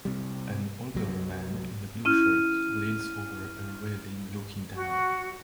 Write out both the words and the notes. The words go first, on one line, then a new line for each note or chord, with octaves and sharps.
An older man in a blue shirt leans over a railing looking down.
C3 G3
C2 F#3
C#4 E4 F6 D#7
F#4